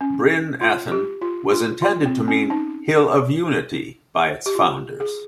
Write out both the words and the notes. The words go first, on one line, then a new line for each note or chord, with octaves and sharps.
"Bryn Athyn" was intended to mean "Hill of Unity" by its founders.
C#4
F4
G4
F4
F4
F4
C4
C#4
D#4
G4
F4
G#4